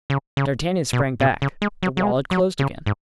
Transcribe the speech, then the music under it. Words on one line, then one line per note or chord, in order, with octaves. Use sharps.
D'Artagnan sprang back; the wall had closed again.
C#3
C#3
B2
B2
C#3
G#3
F#3
F#3
G#3
F#3
C#3
G#2